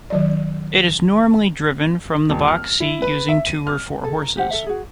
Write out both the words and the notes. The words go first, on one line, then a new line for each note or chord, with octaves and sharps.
It is normally driven from the box seat using two or four horses.
D#3 F#3 D5
D#1
F6
E4
B4
E5
D#7
F6
G#4 A4
A#4
G4 C5 F#5
A4 E5
F#4 G#4